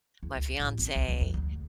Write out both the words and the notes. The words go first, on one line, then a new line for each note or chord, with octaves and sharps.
my fiance.
E2
C#2
A1
C4
C2
C#2
F2
D2